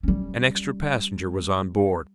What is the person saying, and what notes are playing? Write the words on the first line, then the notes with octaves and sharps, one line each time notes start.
An extra passenger was on board.
G3 C#4